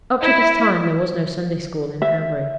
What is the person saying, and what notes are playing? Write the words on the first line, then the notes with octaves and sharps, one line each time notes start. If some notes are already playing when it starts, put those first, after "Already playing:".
Up to this time there was no Sunday-school in Hanbury.
E4
E5